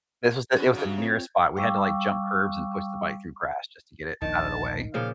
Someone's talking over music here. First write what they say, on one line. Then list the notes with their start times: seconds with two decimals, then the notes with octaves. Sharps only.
This was the it was the nearest spot, we had to like jump curbs and push the bike through grass just to get it out of the way.
0.55 B3 C#4 F#4 B4
0.73 F#2 C#3
0.98 C4 F4 C#5
1.56 G3 F5 G5 C#6 D6 E6
4.22 D#1 A#1 D#3 D4 A5
4.94 A#2 C#3 F3 F5